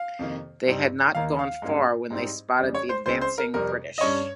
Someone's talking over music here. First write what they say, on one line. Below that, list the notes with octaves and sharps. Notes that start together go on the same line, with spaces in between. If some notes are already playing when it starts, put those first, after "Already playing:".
They had not gone far when they spotted the advancing British.
Already playing: F5
F2 C3 D#3 A#3
G2 G3 C4 D#4
D#2 D#3 A#3 D#4 F5
F5
G#2 G3 A#3 C#4
G#2 G3 C4 D#4
F2 C#3 G3
C#5
C5
C#2 C#3 G#3 C4 C5
C5
A#4
F2 C3 G3 A#4
D#5
G2 G3 C#4 C#5